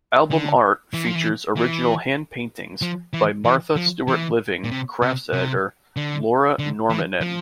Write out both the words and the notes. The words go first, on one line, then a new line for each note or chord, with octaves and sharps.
Album art features original hand-paintings by "Martha Stewart Living" crafts editor Laura Normandin.
D3
E3
F3
E3
E3
F3
E3
E3
F3
E3
A#2
C3
C3
C3
D3
D3
E3
F3